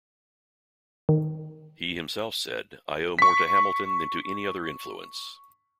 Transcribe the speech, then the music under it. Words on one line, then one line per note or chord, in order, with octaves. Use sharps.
He himself said I owe more to Hamilton than to any other influence.
D#3
C#6 B6